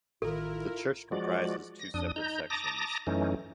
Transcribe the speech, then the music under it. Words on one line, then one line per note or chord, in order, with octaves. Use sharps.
The Church comprises two separate sections.
A1 D#3 E4 F4 A4 A#4
F3 G#3 F#4 D5
A#6
F2 D4 D#6
D#4 A#5 G6
A5 A#5 D6 D#6 A#6
F#2 E3 A3 C#4 D#4